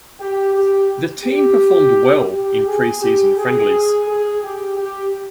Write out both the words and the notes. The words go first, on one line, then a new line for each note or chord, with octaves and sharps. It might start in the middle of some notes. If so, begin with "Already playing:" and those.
The team performed well in pre-season friendlies.
G4
G4
G4
G4
G#4
G4
G#4
G#4
G4
G4